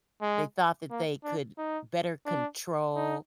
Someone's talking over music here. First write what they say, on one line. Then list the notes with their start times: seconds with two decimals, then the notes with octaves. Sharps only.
They thought that they could better control
0.22 G#3
0.91 A#3
1.24 D4
1.58 D#4
2.26 D4
2.95 D#4